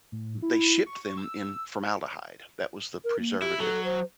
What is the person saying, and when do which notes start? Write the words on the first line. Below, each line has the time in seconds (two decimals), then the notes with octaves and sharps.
n they shipped them in formaldehyde, that was the preservative
0.12 A2
0.42 E4
0.86 C#6
1.18 E6
3.04 A#4
3.19 A#3
3.42 E4 G4
3.60 F#3 A4
3.85 C5